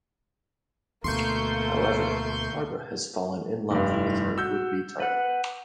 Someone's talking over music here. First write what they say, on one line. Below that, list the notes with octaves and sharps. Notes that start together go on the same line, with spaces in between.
However, Barbara has fallen in love with her would-be target.
D2 B2 A3 A#3 C6 C#6 G6
F1 G2
E4
F#4 E6 G6
B4 F#5